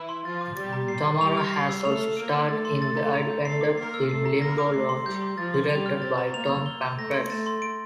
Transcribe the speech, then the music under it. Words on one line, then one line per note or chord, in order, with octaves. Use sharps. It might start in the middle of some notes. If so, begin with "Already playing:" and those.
Tamara has also starred in the independent film "Limbo Lounge", directed by Tom Pankratz.
Already playing: E3 E4
C6
F3 F4 A6
D6
G3 G4 A6
A#5
C7
D6
G3 G4 F7
F6
C7
E6
A3 A4 F7
F6
A#3 A#4 D7
D6
A3 A4 A6
C6
A6
A#5
F7
G6
A3 A4 C7
D6
A#3 A#4 C7
E6
A3 A4 C7
A#5
A#3 A#4 A#6
D6
A3 A4 C7
C6
G3 G4 G6
C6
F3 F4 A6
C6
G3 G4 F7
F6
C4 A6
A#5
A#3 F7
E6
G7
G6
A3 A#6
C6
A3 A6
C6
D7